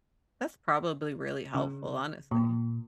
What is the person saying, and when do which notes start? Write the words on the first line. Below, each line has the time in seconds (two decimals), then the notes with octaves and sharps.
That's probably really helpful, honestly.
1.55 C#3
2.31 A#2